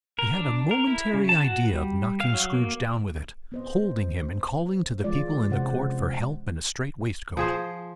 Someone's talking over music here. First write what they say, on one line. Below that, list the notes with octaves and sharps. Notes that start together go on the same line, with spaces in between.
He had a momentary idea of knocking Scrooge down with it, holding him, and calling to the people in the court for help and a strait-waistcoat.
A#4
D4
A#4
E4
C#3
A5
F#4
G3
F5
F#3
A#3
B3 C5 D#5
E3 F3 G#3 F4 D5
C3 G#3 C#4 F#4 C5 F#5
F3 G#4 C5